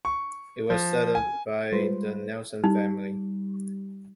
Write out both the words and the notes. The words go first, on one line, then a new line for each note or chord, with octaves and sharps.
It was settled by the Nelson family.
C#6
F3
G#5
G3 G#3 F4 B4 C5
G3 D#4